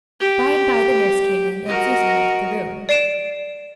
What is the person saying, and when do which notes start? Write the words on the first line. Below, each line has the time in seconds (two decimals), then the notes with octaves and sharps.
By and by the nurse came in, and Susan left the room.
0.21 G4
1.66 F#4 A#4 D#5
2.89 D5 C7 D7 E7